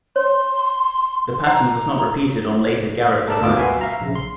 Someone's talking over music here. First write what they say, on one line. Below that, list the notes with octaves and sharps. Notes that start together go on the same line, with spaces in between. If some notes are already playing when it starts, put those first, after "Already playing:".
The pattern was not repeated on later Garratt designs.
C#5 C6
F#5 A#5
A4 A#4 D5 E5 A5
G1 D2 B2 A#3 F4 D6
F#4 B4 E5 F5 G#5
E5 F5 A#5
A#1 C#3
C6